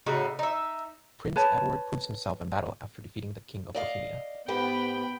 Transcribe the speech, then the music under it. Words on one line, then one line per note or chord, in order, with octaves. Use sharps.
Prince Edward proves himself in battle after defeating the king of Bohemia.
A2 C#3 D#4 F#4
D#4 E5
B4 C#5 A5
D5 D#5 F5
G#2 B3 G4 B4 G5 B5